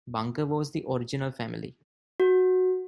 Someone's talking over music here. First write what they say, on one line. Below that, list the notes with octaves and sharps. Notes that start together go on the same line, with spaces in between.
"Bunker" was the original family.
F#4